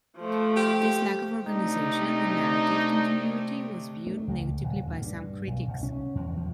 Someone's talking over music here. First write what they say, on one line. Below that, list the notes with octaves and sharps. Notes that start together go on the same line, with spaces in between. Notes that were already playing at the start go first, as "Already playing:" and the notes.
This lack of organization and narrative continuity was viewed negatively by some critics.
F3 A3
G4
C3 A3 D4 D#4
A3
C#2
D#1
D2
G2
B1
C2
C#4
E2
F3